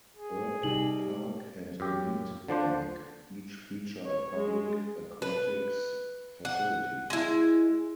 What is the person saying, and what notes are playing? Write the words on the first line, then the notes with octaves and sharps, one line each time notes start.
Erb Park and Mead Park each feature a public aquatics facility.
G#4
C3 G3 D#4 G4 F#7
F#2 G4
D3 F3 D4 C5
C#5
G#3
B4
F#5
G#3 E4